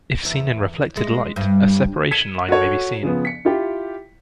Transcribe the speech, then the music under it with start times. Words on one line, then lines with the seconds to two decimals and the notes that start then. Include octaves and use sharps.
If seen in reflected light, a separation line may be seen.
0.25 E2
0.97 G#3
1.36 G2
2.11 G#6 B6 C#7 D#7 E7 G7
2.49 F#4 A4 C#5
3.03 C#3 F3 B3
3.25 B6 C#7
3.45 E4 F4 G4 G5